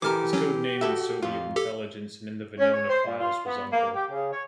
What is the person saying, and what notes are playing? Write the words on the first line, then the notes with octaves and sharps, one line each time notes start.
His code name in Soviet intelligence and in the Venona files was "Uncle".
E3 G4 A4 A#4 D6 F6
F#3 C#4
F#4 A4 E5
F2 F4
G4 A4
C#4
C#5
C5
A#2
F4
B3
A#3
G4
C#3
C#5